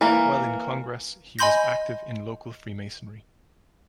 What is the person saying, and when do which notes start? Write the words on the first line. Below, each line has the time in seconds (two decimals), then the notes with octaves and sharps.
While in Congress, he was active in local Freemasonry.
0.01 E3 A#3
1.39 D#5 G#5 B5 C6 G6 A#6